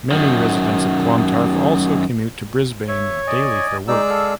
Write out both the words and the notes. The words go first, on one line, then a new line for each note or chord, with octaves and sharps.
Many residents of Clontarf also commute to Brisbane daily for work.
F#2 D#3
C#5 E5
D5 D#5 G#5
G#3 D#4 D5 E6
A4 F5